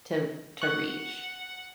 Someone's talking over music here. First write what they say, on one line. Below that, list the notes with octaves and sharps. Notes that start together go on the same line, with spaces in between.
to to reach."
F#5 C#6 F#6